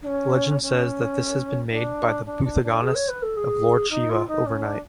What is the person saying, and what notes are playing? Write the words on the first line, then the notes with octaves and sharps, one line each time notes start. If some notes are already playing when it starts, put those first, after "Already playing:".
Legend says that this has been made by the "Bhuthaganas" of Lord Shiva overnight.
D4
C#4
C#4
D4
D4
D4
D4
G#4
C#5
B4
A4
G#4
D#4
F4
D#4
C#4
D4